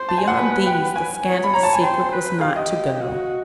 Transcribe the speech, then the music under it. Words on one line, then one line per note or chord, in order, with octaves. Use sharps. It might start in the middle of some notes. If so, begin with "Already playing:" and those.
Beyond these the scandalous secret was not to go.
Already playing: C5
A5
G#5
F#5
B4
G5
G#5
C#5
B5
C#5 A#5
A5
G#5
C5 G5
B4
G4 F5
D#5
F#4